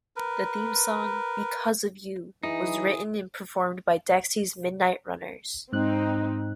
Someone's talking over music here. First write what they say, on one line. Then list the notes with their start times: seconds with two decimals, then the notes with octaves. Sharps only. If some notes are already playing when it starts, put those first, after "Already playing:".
The theme song "Because of You" was written and performed by Dexys Midnight Runners.
0.16 A#4 B4
2.43 E3 D#4 E4 G#4
5.73 G#2 C4 D#4 F#6